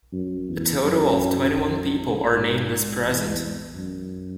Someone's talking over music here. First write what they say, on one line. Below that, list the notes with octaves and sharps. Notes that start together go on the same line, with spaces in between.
A total of twenty-one people are named as present.
F#2
E2
F#2
G#2
E2
F#2